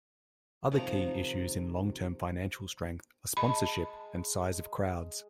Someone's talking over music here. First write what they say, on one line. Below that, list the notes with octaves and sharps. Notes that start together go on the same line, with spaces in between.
Other key issues in long-term financial strength are sponsorship and size of crowds.
E2 C3 D#3 F3 A#5
G#3 G#4 A5 B5